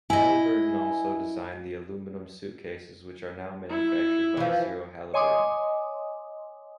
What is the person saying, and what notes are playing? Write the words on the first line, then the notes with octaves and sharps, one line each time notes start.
Halliburton also designed the aluminum suitcases which are now manufactured by Zero Halliburton.
E4 D#5 G#5
E4
E3 F3
C#5 D#5 G#5 C6 D6 D#6